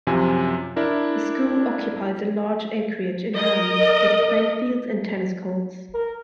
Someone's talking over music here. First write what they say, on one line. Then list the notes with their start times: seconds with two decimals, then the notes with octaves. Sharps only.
The school occupies a large acreage in Ham, with playing fields and tennis courts.
0.07 F#2 C3 F3 G#5
0.76 D4 E4 A#4
3.36 A#4 D#5
5.94 A#4